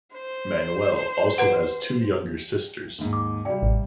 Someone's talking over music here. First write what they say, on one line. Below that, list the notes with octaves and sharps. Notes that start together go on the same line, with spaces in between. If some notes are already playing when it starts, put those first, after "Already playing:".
Manuel also has two younger sisters.
C5
B4 F#5
D#2 G#2
D6
C3 G3 D5 F5 G5
A1